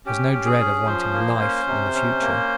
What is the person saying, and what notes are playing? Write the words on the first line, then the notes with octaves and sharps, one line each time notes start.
Has no dread of wanting "life" in the future.
C#4 G4
C#4
G#4
C#4
F3 C5
A#3
C#4
C3
C#4
A#3